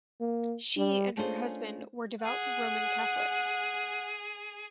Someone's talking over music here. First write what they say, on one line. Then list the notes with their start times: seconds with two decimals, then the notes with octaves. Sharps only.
She and her husband were devout Roman Catholics.
0.21 A#3
0.77 G3
1.17 A3 C#4 D4 F4 G#4 C5
2.24 G#4 F#5